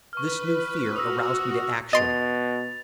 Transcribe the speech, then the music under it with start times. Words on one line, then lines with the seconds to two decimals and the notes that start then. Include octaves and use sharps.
This new fear aroused me to action.
0.13 B4 C#6 F6
0.96 F#4 D#6 E6 A#6
1.93 B2 D#5 C6 A6 D7 F7